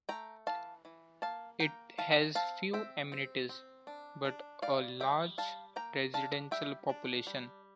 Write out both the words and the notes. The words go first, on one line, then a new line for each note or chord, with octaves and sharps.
It has few amenities, but a large residential population.
A3 G5 A#5
E3 F5 A5
E3
A#3 F5 A5
A#3 G5 A#5
E3 F5 A5
C4 F5 A5
C4 E5 G5
C4
C4
D4
D4
G3 D5 F5
G3 E5 G5
G3 F5 A5
A#3 G5 A#5
D4 F5 A5
G3 E5 G5
D4
G3